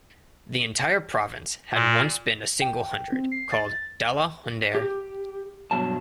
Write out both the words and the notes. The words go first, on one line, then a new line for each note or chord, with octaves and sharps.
The entire province had once been a single hundred, called "Dala hundare".
A#2
G5
C4
C7
A6
G4
G2 B2 F#3 A5